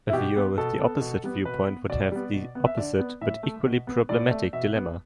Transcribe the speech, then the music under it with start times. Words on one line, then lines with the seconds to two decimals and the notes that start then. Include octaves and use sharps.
A viewer with the opposite viewpoint would have the opposite but equally problematic dilemma.
0.09 E4
0.13 B2 G4
0.36 B3
0.58 B2 A4
0.80 B3
1.01 B2
1.24 G3 B3
1.45 B2 B4
1.68 B3
1.89 B2 D5
2.12 G3 B3
2.34 B2
2.55 B3
2.66 E5
2.77 D3 D5
2.99 B3
3.21 A2 E5
3.43 A3
3.65 B2
3.87 B3
4.09 A2 D5
4.31 A3
4.53 B2 E5
4.75 B3